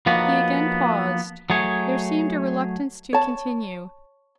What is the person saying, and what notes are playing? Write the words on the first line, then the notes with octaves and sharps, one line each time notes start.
He again paused: there seemed a reluctance to continue.
F3 A#3 B3 D4 D#4 F#4
F#3 A3 G#4 C#5
C#5 A5